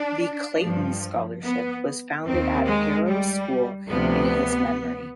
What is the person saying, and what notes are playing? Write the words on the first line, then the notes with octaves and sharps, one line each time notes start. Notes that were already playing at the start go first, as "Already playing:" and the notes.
The Clayton Scholarship was founded at Harrow School in his memory.
Already playing: D4
G2 F3
B3
D#2 D#3 C4
G#3
G3
D2 C3 F3 B3